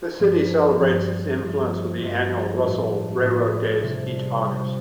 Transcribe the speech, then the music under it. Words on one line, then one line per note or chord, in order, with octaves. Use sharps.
The city celebrates this influence with the annual "Russell Railroad Days" each August.
G2 F3 D4
G2 F3 D4
G2 F3 A3 D4 F4
G2 F3 A3 D4 F4
A2 A3 D4 F4
A2 A3 D4 F4
C3 G3 D4
C3 G3 D4